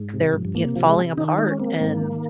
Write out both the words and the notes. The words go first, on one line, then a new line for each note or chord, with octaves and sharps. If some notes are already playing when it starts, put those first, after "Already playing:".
they're y falling apart, and
Already playing: G#2
C3
G#2 F3
G2
G#2 A#3
C3
C3 F3
G#3
C3
D#3 D#4
D#4
G#3 D#4
C#4
A#3 C4
G#2
D#3